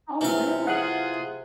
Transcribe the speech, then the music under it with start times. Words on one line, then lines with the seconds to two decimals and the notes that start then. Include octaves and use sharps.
Oh, really?
0.21 C3 E3 F#3 F5
0.67 F4 G#4 F#5 F#6